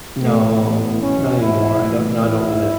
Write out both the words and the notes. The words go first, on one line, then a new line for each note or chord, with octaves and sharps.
No, not anymore. I don't no, I don't want it.
A2 E3 A3
B3
E2 B2 C#4
E4
A2 E3
E4